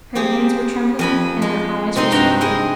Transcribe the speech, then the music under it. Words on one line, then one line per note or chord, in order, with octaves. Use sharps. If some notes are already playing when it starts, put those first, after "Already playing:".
Her hands were trembling and her eyes were smarting.
C4 G4 G#4
F2 G#5 B5
G#3
C3 C4 D#4 C6
G2 F#4 G5 A#5
E4 G#4 D#5